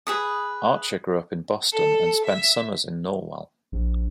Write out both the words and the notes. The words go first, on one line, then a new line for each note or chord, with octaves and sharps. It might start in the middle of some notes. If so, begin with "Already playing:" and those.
Archer grew up in Boston and spent summers in Norwell.
G#4 B4 D#6
A4
E5
A#1